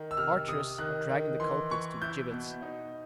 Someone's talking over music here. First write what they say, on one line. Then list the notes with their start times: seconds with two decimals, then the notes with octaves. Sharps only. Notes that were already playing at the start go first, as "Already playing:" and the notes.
The archers are dragging the culprits to the gibbets.
Already playing: D#3
0.11 E6
0.17 C3 F6
0.48 C3 D#6
0.78 D#3 F#6
1.09 D#3
1.40 E3 C6
1.71 E3 C#6
2.02 E4 G6
2.32 B2
2.62 D#4